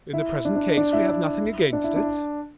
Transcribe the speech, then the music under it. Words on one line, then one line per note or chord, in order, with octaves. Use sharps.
"In the present case we have nothing against it."
E4
D4
D4
D4
E4
E4
D4
E4
D4